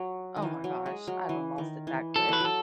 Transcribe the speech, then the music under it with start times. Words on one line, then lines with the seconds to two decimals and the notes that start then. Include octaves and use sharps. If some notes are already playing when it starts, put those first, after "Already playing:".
Oh my gosh, I done lost it that quick.
Already playing: F#3
0.36 D#3
0.42 E3
0.64 F#3
0.86 G#3
1.07 F#3
1.29 E3
1.58 D#3
1.87 E3
2.16 F#3 A4
2.28 E3 B4
2.40 F#3 A4